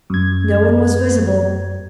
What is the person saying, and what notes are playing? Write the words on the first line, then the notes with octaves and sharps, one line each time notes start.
No one was visible.
F#2 G#6